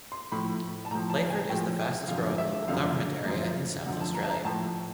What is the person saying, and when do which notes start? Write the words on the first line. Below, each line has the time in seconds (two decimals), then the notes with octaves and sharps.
Playford is the fastest growing local government area in South Australia.
0.12 C6
0.32 A2 F3 B5
0.85 A5
0.91 A2 F3 A#5
1.10 A5
1.30 G#5
1.49 A2 F3 G5
2.08 F#2 D3 F3 F5
2.38 E5
2.68 F#2 D3 F3 F5
3.26 F#2 D3 F3
3.86 F#2 D3 F3 F#5
4.00 A5
4.14 A#5
4.23 A5
4.30 A#5
4.44 A2 F3 A5